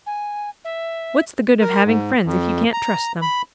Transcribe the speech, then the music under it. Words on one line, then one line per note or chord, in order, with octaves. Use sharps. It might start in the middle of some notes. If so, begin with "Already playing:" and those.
What's the good of having friends if you can't trust them?
G#5
E5
A#4
G#2
F2
A#5
B5